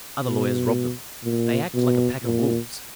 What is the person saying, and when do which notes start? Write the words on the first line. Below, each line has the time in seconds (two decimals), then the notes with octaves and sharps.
Other lawyers rob them. They act like a pack of wolves.
0.23 B2
1.23 A#2
1.74 B2
2.23 A#2